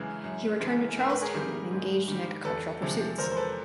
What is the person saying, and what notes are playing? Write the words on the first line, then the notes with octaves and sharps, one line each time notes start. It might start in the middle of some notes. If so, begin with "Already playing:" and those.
He returned to Charlestown and engaged in agricultural pursuits.
Already playing: F#2 C#3 E3 G#3 G#4
F#2
C#3 E3 G#3
G#2 A#4
B4
G#4 A#4
D#3 G3
G#2
D#3 G3
E2 A4 B4
C3 F3 G#3
E2 A#4 C5
C5
A4 B4